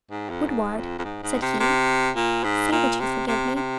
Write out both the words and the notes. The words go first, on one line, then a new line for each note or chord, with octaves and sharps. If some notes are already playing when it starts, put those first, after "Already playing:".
Woodward,' said he, 'say that you forgive me.'
G#2
F2
G#2
F2
F2
G#2
G#2
C3
C3
A#2
G#2
A#2
C3
C3
C3